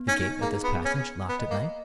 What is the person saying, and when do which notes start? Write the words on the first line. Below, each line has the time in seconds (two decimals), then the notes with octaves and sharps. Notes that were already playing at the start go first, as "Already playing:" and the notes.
"Is the gate of this passage locked at night?"
Already playing: B3
0.08 C#4 D#4
0.41 A#3 G#4
0.64 B3
0.75 B3
0.85 C#4
1.06 G#5
1.29 B3
1.39 D#5
1.51 A#3